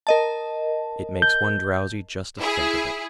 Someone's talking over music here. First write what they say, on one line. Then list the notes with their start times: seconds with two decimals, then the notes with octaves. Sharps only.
It makes one drowsy just to think of it!
0.07 A#4 D#5 A5
1.22 G6
2.39 E4 G#4